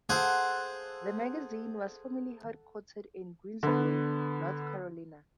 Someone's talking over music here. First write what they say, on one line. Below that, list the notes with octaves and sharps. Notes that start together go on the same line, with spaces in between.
The magazine was formerly headquartered in Greensboro, North Carolina.
G#4 A4 C5 F#5
D3 B3